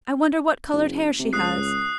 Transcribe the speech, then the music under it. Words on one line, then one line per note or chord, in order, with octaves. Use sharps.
I wonder what coloured hair she has.
F#1
C3
C#2 D#6 F#6 C7